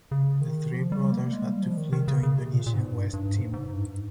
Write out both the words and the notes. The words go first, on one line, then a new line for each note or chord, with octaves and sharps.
The three brothers had to flee to Indonesian West Timor.
C#3
D#3
F3
G3
A#3
G#3
G3
F3
D#3
D#3
C#3
C#3
C3
A#2
A#2
G#2
G2
G2
G#2
G#2
G2